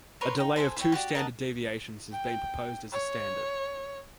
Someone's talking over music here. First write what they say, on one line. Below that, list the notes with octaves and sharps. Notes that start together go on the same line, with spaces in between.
A delay of two standard deviations has been proposed as a standard.
A#4 B4 C#5 C6
D#4 G5
A4 C5 D5 G#5
E4 C#5 G5
F#4 G4 D5
A#4 D#5 F#5 A5
G5
C#5